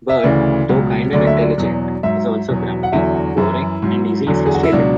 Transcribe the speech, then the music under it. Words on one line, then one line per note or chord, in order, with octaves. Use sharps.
Bert, though kind and intelligent, is also grumpy, boring, and easily frustrated.
E5
D2 C#3 E3 D5
C#2 B2 F#3
D2 D3 F#3 D5
E5
D5
E2 B2 F#3
G#2 F#3 E5
E2 B2 F#3
F#5
E2 D3 F#3 E5
F#4
F#2 E3 E4
G#2 F#3
E2 D3 F#3
G#4
F#4
E4
C#2 B2 F#3 D4